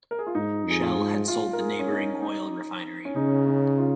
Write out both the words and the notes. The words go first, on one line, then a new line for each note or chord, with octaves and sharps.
Shell had sold the neighbouring oil refinery.
A#4
G#4
F4
G#2 D#4
F2 G#4
F4
G#2
F4
A#4
G#4
C#4
D#4
D#4
C#4
C#3 D#4
D#4
F4